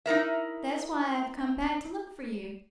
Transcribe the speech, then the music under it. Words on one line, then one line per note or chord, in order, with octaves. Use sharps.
That's why I've come back to look for you.
D#4 E4 A#4 E5